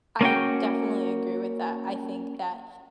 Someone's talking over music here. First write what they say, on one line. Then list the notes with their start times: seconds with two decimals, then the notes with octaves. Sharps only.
I definitely agree with that, I think that,
0.21 A#3 C#4 F#4 G5